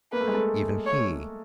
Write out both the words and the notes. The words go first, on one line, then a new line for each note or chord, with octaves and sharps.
"Even he!"
A#3 B4
A3
G#3
A3
C#5